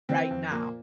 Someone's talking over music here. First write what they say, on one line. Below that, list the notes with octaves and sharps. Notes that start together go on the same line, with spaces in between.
right now
E3 C4
F2
A#2 A#3